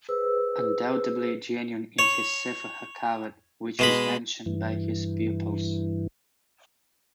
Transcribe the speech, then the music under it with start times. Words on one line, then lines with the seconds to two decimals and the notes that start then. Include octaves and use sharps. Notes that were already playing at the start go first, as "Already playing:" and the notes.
Undoubtedly genuine is his "Sefer HaKavod", which is mentioned by his pupils.
0.09 G#4 B4 C5 E6
1.99 C#5
3.79 B2 G#3 B5
4.46 G2 E3